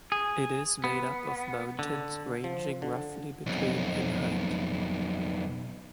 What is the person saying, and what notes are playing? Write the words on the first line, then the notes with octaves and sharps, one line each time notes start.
It is made up of mountains ranging roughly between in height.
G#4
B3
D3
F3
D3
B1 F2